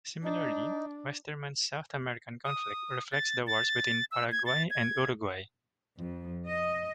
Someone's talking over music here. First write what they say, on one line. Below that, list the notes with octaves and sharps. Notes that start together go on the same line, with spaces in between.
Similarly Westerman's South American conflict reflects the wars between Paraguay and Uruguay.
D4 D#4
D#6
A6
A6
E6
G#6
A6
G#6
F2
D#5